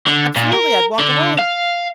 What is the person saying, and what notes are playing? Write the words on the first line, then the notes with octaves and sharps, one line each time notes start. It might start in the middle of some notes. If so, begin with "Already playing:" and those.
Absolutely, I'd walk away.
D3
A#2
A#4
D3
F5